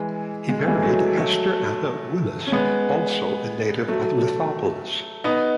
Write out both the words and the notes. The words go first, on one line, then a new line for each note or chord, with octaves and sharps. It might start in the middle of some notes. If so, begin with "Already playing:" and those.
He married Hester Anna Willis, also a native of Lithopolis.
Already playing: E3 G#3
G#3
A3
E3 G#3
F#3 A3
F#3 A3
C#4
G#3 B3
F#3 A3
B3 D#4